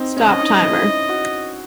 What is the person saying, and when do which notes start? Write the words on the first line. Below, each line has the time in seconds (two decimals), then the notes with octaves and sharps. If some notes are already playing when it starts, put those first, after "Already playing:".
Stop timer.
Already playing: C4 D#4
0.17 C#4 D#5
0.40 D#4
0.54 D#4
0.63 E4
1.09 F#4